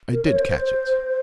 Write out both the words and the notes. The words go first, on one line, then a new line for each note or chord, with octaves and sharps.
I did catch it.
A#4
C#5
C5
C5